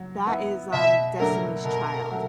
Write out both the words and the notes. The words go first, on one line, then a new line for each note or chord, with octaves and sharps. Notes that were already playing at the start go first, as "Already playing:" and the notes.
That is, um, Destiny's Child.
Already playing: F#3
B3 E4
B2 E5
F#3 A3 D4 A#4
B2 A#4
F#3 A3